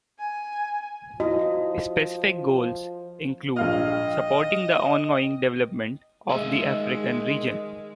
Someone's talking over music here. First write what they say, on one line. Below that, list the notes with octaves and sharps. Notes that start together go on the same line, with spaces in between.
Specific goals include supporting the ongoing development of the African Region.
G#5
F3 E4 F#4 D#5
A#1 D#5 F5 F6
G5
D#3 G#3 G#4 D#5 E5